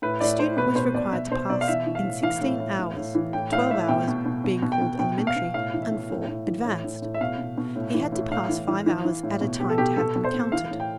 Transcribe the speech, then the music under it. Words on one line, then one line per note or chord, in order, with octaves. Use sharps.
The student was required to pass in sixteen hours--twelve hours being called elementary and four advanced. He had to pass five hours at a time to have them counted.
A2 B4
A2 D5
A2 C5
B2 B4
B2 C5
B2 D5
B2 E5
B2 C5
B2 D5
F5
E3 E5
E3
F5
A2
E3 F5
A2
A2
A2
A2
E3
A2 G5
A2 F5
A2 E5
B2 G5
B2
B2
B2
B2
G5
B2
B2 G5
B2
F5
B2
A2 F5
E3
E5
A2
A2
A2
E3
A2
A2
A2
E5
B2 F5
B2
B2
A2
E3
A2
A2 F5
E3
E3
E3
E3
A2
B2
B2 G4
A4
B2 G4
B2 A4
B2
C5
B2
E3 F5
A2
G5